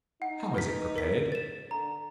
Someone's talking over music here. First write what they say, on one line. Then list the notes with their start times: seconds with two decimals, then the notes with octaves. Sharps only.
How is it prepared?
0.22 D#4 F#5
0.54 B4 B6
0.96 A#4 B6
1.32 A6 E7
1.71 D3 A#5